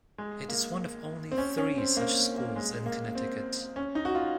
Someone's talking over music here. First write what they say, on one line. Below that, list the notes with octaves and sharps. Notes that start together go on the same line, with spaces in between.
It is one of only three such schools in Connecticut.
G#3
A#3
C4
C#4
C#4
C4
A#3
A#3
G#3
A#3
C4
C#4
D#4
F#4
F4